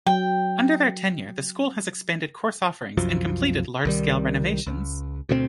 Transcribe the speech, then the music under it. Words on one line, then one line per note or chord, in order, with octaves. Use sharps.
Under their tenure, the school has expanded course offerings and completed large-scale renovations.
F#3 G5
C2 F#2 F3
C2 D#3 G3
C#2
D2 B2 A#3 C4